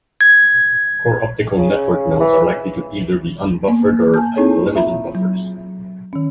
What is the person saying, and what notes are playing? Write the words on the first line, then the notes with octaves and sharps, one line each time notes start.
Core optical network nodes are likely to either be unbuffered or have limited buffers.
G#6
C#3
E3
A#3 B3
G#5 A5 G6
C4 D#4 E4 G#4 A4 C#5
D#4 F4 E5 A#5 B5
F#3
D#3 C#4